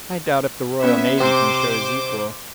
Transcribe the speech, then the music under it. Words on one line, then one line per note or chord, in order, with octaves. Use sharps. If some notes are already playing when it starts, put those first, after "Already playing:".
I doubt if the Royal Navy can show his equal.
B3 C#4 E5
C3 C5 D6